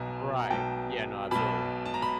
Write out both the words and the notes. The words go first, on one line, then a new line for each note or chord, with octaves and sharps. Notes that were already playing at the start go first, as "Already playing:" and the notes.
Right, yeah, no, absolutely.
Already playing: B1 B2 G#5 A#5
A#5
B1 B2 G5 A5
B1 B2 A5 B5
A5
A#5
B5